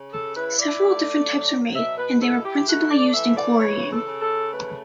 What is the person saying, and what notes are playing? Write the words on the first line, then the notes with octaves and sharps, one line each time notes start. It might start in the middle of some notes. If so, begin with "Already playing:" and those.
Several different types were made, and they were principally used in quarrying.
Already playing: C#3
A4
E4 B4
D5
A3
F#3
B2 E5
B4
E4 A4
G4
A3 F#4
D5
E3 E5
D5
C#3 C#5
A4
C#3
A4
A3 B4